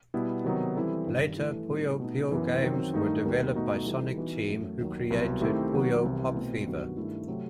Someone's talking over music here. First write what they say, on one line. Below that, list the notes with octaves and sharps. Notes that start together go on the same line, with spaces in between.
Later Puyo Puyo games were developed by Sonic Team, who created "Puyo Pop Fever".
B2 G3 B3 E4
C3 D#3 F#3 B3 D#4
E3 G3 C4 E4 A4
G2 D#3 G3
E3 A3 E4 A4
A2 G3 C4
B2 A3 D#4
F#2 E3 B3
D#3 F#3 C4
G2 D#3 A3 D#4
D#2 D#3 G3 B3
B2 A3 D#4 F#4
E3 G3 D#4 A4
E3 B3 D#4 F#4
F#2 F#3 A3
D#2 D#3 F#3
C2 B2 F#3 B3 F#4
D#3 A3 C4 E4 G4
D#3 F#3 B3 F#4
C2 C3 E3
B2 A3 C4
G2 D#3 F#3 B3 F#4
G2 D#3 A3 E4
C3 F#3 A3 C4